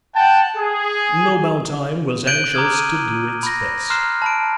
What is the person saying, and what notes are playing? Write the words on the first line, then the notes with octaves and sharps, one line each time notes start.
Knobaltheim was anxious to do its best.
F#5 G5 A5
G#4
F#6 G6 D7 D#7 F#7 G7
A#5 D6 D#6 F6 G#6
D#7
B5 A#6
A#5 C6 F6 F#6 C7 E7
A5 B5 D7